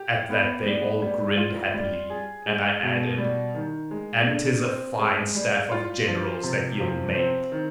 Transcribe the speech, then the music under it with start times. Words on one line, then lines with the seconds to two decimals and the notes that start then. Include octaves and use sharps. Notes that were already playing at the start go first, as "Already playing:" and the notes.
At that they all grinned happily, and I added: "And 'tis a fine staff of generals that ye'll make!"
Already playing: G4
0.30 B3
0.66 G3
1.02 G3
1.38 F4
1.74 G3
2.10 G#4
2.46 G#3
2.83 B2
3.18 G3
3.55 D#3
3.91 G#3
4.27 D3
4.63 C4
4.99 G#3
5.35 G3
5.72 F4
6.08 F3
6.43 C3
6.80 F3
7.15 C4
7.52 D#3